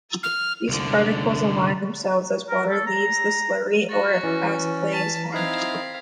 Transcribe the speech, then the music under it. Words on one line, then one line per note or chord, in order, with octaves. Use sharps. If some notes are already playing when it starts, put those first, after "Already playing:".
These particles align themselves as water leaves the slurry, or as clay is formed.
F6
C2 D3
A#4
A4
A#5
F#4 A6 A#6
E3 C#4
A5 B6
C4 D#4 E4 F5 G#6 C7